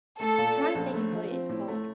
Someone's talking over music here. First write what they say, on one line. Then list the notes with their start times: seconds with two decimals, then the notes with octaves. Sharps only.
trying to think of what it is called.
0.19 A3 A4
0.38 A#2
0.57 C#4
0.75 A#1
0.94 A3
1.13 F3
1.31 C4
1.49 A2
1.68 A3